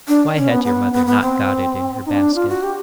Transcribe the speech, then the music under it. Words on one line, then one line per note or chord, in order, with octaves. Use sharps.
Why had your mother not got it in her basket?'
D4
C#4
B3
B3
B3
B3
C4
D#4
D4
F4
F#4
G4